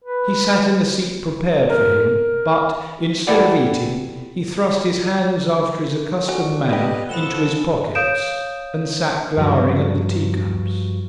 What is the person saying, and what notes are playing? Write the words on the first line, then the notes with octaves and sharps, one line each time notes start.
He sat in the seat prepared for him, but, instead of eating, he thrust his hands after his accustomed manner into his pockets and sat glowering at the teacups.
B4
A#4
E4 G4 A4 B4 D5 F#5
D3 F3 F#4 C#5 G#5
G4 B4 D#5 E5 G5
F3 A4 F#5 B5 E6 E7 G7
C#5 F5 D#6 G6 D7 E7
G2 F3 F#3